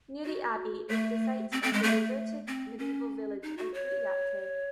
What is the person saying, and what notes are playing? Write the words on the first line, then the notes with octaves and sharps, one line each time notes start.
Near the Abbey is the site of the Deserted Medieval Village of "Butyate".
F#4
A3
C4
C4
G#3
A3
C4
C#4
D#4
F#4
C#5